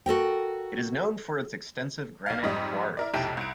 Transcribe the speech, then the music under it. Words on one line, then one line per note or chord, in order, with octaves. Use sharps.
It is known for its extensive granite quarries.
F#4 A4 A#4 G5
B1 F5
F2 G#2 G3 D#5
E4 A#4 D5
F1 B1 E4 G4 A5 D7
C2 D7